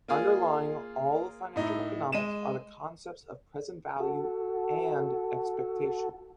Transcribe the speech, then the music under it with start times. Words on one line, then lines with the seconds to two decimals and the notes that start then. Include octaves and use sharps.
Underlying all of financial economics are the concepts of present value and expectation.
0.08 A#3 F4 G#4
1.56 A2 D#4 E4
2.12 G#3 D#7 E7
4.00 F#4 A4